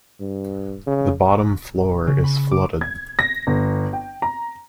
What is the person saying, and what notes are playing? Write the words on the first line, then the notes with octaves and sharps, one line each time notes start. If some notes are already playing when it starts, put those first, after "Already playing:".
The bottom floor is flooded.
G2
C#3
C#3
B5
D6
G#6
A#6
G1
G5
A#5